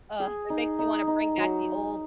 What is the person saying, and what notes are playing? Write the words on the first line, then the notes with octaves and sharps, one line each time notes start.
Uh, it makes me wanna bring back the old
G#4
D#4
D#4
D#4
F#3